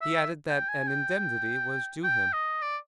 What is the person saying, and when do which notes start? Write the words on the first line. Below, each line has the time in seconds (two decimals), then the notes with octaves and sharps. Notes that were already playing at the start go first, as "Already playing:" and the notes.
He added that an indemnity was due him.
0.01 E5
0.49 G5
0.69 G#5
0.88 G5
2.04 G5
2.33 D#5
2.62 D5